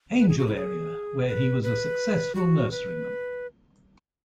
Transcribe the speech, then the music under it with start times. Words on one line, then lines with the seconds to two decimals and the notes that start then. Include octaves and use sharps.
Angel area where he was a successful nurseryman.
0.19 B4
0.29 G#4
0.38 F#4
0.47 E4
0.56 G#4
1.27 B4
1.63 B4
2.35 F#4
2.71 B4